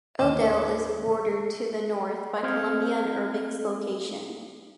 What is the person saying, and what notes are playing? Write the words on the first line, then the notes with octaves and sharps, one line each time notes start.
Odell is bordered to the north by Columbia and Erving's Location.
D#2 A2 D3 D#5 D6 E7
C4 D#5 F5 F6 G6 G#6